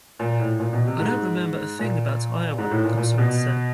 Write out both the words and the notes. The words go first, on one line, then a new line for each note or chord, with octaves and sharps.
I don't remember a thing about Iowa, I'm sorry to say.
A#2
A2
A#2
B2
C3
G#2
A#2
G#2
A2
A#2
A#2
B2